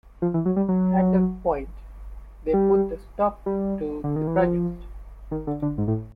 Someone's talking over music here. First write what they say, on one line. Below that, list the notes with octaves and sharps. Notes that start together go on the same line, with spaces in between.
At that point, they put a stop to the project.
F3
E3
F#3
G3
F#3
G3
G3
D3
D#3
E3
F3
D#3
D3
D3
G#2
A2